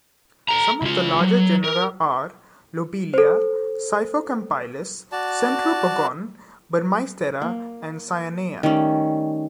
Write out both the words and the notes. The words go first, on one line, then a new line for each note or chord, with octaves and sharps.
Some of the larger genera are "Lobelia", "Siphocampylus", "Centropogon", "Burmeistera" and "Cyanea".
A4 A#5
C#2 F4
F#3
A#4
A4 C5
F#4 D5 A5
A#3
D#3 G3 A3 C#4